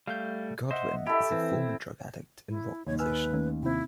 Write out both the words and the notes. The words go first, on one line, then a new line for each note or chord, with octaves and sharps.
Godwin is a former drug addict and rock musician.
G3 A3 F5 G6
C5 D#5 E5 F#5
E4 G4 A4
E3 C4
E4
D#2 C#5
B4 G#5 E6 F6
D#3 A3 C#4
C3 C4 E4